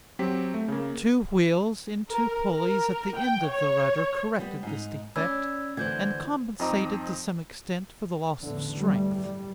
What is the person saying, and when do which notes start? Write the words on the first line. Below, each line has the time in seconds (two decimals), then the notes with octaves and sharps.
Two wheels in two pulleys at the end of the rudder corrected this defect, and compensated, to some extent, for the loss of strength.
0.19 F#3 C4 G4 B6
0.54 A3
0.68 C#3 A#3
2.11 A#4
2.55 A#4
3.17 G5
3.49 C#5
4.40 G3 B3
4.63 G#2 D#4
5.16 C#4 D5 B5 E6 G#6
5.77 D2 D3 E3 C5 G6 G#6
6.60 F2 C4 D#4 D#5 A#5 D6
8.41 A1 E2 D3
8.80 E2 G2 G3 A3
9.17 G3